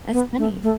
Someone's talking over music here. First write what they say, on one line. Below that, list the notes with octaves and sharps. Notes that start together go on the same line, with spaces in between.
That's funny.
B3
A3
A3